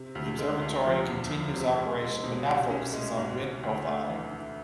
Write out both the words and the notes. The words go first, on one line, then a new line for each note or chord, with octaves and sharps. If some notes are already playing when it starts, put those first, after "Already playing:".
The observatory continues operation, but now focuses on wind profiling.
Already playing: C3
D2
G#3
D2
F3
E2
F3
C3
G#3
G#3
B2
C2
C#4
G#3
G#2
G#2
D2
A3
E3
E3